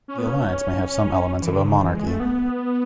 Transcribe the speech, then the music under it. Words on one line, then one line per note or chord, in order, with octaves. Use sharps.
The Alliance may have some elements of a monarchy.
C#4
B3
C#4
E3
D3
C#3
D3
E3
G#3
A3
B3